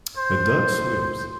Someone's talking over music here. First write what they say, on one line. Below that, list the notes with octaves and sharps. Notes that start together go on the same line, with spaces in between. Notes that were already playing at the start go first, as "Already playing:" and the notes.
A dog swims.
C5